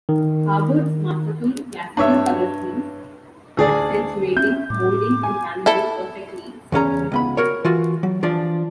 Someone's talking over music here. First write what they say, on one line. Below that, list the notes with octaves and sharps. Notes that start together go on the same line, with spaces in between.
Harboard's masterful, classical colour schemes accentuating moulding and panelling perfectly suit the house.
D#3
G2 C#5 E5
D2 G#4 D5
C4 C#4 E5 G6
A2 D6
G#5
E4 A4
E2 C#3 C#4 A#5
C#2 B3 B5
F#4 A#4 C#5
E3 F4 F#4
F#3
E3 F3 D4 D5